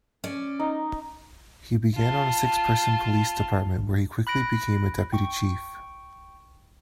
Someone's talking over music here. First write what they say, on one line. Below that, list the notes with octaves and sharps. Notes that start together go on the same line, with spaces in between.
He began on six-person police department where he quickly became a deputy chief.
C#4 D5
D#4
F4 A5
B5 F#6 A#6 D7
G5 C#6